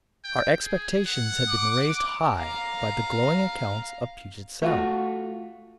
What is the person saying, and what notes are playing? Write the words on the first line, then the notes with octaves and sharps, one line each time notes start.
Our expectations had been raised high by the glowing accounts of Puget Sound.
G5
G#4
F#5
D6
F5 A#5
A3 F4 F#4